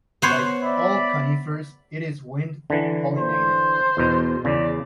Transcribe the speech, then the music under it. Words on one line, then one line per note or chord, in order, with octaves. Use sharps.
Like all conifers it is wind pollinated.
B3 C5 C#5
D5 E5 B5
D3 E3
C5
E2 B2
E2 C#3 D5